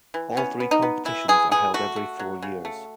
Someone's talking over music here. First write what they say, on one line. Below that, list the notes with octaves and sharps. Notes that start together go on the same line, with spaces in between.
All three competitions are held every four years.
E3
B3 C#4
B3
D#4
B3
E3 E4
E3 G#4
E3 G#4
A3 F#4
A3
F#3
C#3
A3